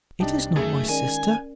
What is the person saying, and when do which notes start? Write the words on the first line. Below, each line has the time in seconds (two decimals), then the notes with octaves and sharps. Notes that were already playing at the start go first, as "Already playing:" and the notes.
"It is not my sister."
0.20 C2 C3 D4 D#4 G4 A5
0.56 F#2 D#3 A3 G#4
0.89 D#3 G#3 C#4 A#4 D5 G#5